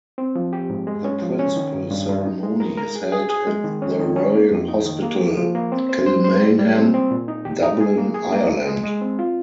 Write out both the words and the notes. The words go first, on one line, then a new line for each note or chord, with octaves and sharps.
The principal ceremony is held at the Royal Hospital Kilmainham, Dublin, Ireland.
C4
F3
G4
G#2
G#3
C#4
F3
C#4
D#3
G2
G2
G2
D#4
G#3
A#4
A#4
G#4
G#4
G#4
G#3
D#3
C#4
D#3
C#4
A#3
F2
D#4
D#3
A#3
F3
F3
A#3
C4
C5
C5
C5
G3
G3
C4
C4
A#2
D#4
G4
D#4
G#4
A#3
G#4
A#3
G#3
G#3
G#3
C4
F4